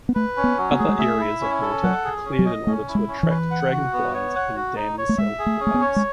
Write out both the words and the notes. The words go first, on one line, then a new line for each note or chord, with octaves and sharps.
Other areas of water are cleared in order to attract dragonflies and damselflies.
B3
A3 B4
C#4
B3
F#3
B3
A3 G#4
G#3
A3 E5
E4
C#4
A4
F#3 F#5
G#4
C#4
F#3
D#5
A3 C#4
E4
G#3
C#4
E3
B4
F#5
F#4
B3
C#5
F#5
F#4
D#4
C#5
A3
G#3 E5
G#4
A3
C#4
A3
B3
C#5
G#3